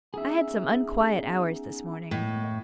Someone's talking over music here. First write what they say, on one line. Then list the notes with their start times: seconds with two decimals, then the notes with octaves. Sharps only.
I had some unquiet hours this morning.'
0.14 B3 C#4 D#4 G#4 E5
2.11 A2 D#3 G#3 B3